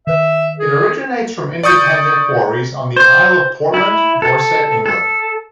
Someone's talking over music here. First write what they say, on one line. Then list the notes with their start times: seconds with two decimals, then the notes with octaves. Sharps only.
It originates from Independent quarries on the Isle of Portland, Dorset, England.
0.07 D#3 B4 E5
0.59 G#4
1.63 D5 C#6 D#6 G6 C#7
2.96 C5
3.74 E4
4.22 A4
4.86 A4